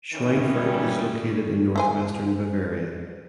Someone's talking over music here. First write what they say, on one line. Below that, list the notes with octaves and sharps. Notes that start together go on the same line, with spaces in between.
Schweinfurt is located in northwestern Bavaria.
D#3 E3 C#4
G3
E3 C5 G#5